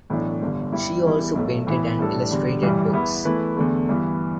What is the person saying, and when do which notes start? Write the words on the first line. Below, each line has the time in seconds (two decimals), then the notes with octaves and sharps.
She also painted and illustrated books.
0.10 B1 A2 E3 A3 D4
0.41 G1 G2 D3
0.72 G2 G3 E4 G4
1.04 E2 E3 G3 E4
1.35 B1 A2 A3
1.67 A2 E3 B3 E4
1.99 A2 G3 D4 A4
2.31 E2 D3 G3
2.62 A1 G2 E3 G3
2.94 E2 E3 B3 E4
3.25 E2 E3 A3 E4 B4
3.57 E2 D3 A3
3.89 G2 E3 B3